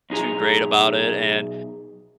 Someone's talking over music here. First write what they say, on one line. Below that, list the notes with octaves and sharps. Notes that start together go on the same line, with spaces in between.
too great about it, and
B1 D#4 G#4 A#5